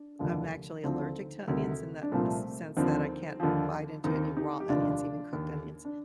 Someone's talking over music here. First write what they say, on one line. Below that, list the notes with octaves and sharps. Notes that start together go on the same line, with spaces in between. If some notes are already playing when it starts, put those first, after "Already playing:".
I'm actually allergic to onions in that in the sense that I can't bite into any raw onions, even cooked onions,
Already playing: D4
F1 D#2 D3 F3
D2 D3 F3 C4 D#4
D2 C3 D#3
D4
C2 A#2 F3 A3 C4
D#2 D3 F3 C4 D#4
D#2 D3 F3
D#2 D#3 C4 D#4
D#4 G4
G4
F1 D#2 D#3 D4 F4
D#2 D#3
D4